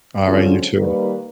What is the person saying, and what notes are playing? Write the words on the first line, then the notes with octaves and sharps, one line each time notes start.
Alright, you, too.
D3 F3 F#3 G#3 C4 C#4
D#3 G3 A#3 B4